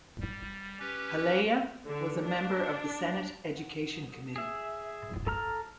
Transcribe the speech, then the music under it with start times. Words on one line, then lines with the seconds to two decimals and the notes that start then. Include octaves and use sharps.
Palaia was a member of the Senate Education Committee.
0.20 G3
0.80 C#4 G4 B4
1.85 D3
2.24 D4
4.36 G#4 E5
5.27 A4 A#5 F6